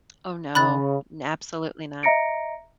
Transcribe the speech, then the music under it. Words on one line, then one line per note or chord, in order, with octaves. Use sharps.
Oh, no, n absolutely not.
C#3 B5 F#6 A6
D#5 E5 A#5 A#6 C#7 D7